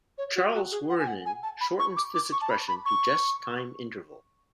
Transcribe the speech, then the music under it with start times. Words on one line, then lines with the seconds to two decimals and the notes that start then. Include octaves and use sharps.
Charles Wuorinen shortens this expression to just time interval.
0.18 C#5
0.36 F#4
0.54 F#4
0.72 G#4
0.90 F#5
0.99 G#5
1.08 F#5
1.26 G#5
1.43 A5
1.61 B5
1.79 C#6
1.97 D6
2.15 D6
2.32 C#6
2.41 A5
2.50 B5
2.68 B5
2.86 C#6